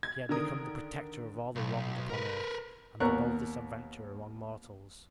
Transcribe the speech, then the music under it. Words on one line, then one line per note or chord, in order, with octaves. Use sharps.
He had become the protector of all the wronged upon earth, and the boldest adventurer among mortals.
G#6
D3 D#3 A#4 D#6
B1
A#4 B4
D#2 B3 A#4 C#6 F#6